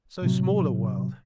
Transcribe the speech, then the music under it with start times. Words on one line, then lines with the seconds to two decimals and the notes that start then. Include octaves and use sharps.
So small a world!
0.22 A2 C3 F#3